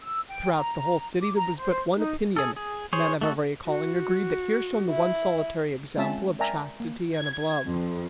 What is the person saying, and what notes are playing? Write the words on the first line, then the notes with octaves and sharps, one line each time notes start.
Throughout the whole city there was but one opinion, men of every calling agreed that here shone the one solitary example of chastity and of love!
E6
G5
A#5
D6
A#5
C5
D#4
G#4 A4
G#4
G#4 C5 C#5
A3 F#4 A4
F#4
E4
G#3 C4 C#4 F4 E5 A5
A#4 D5 E5 G5 G#5 A#5
A#3
G#6
F2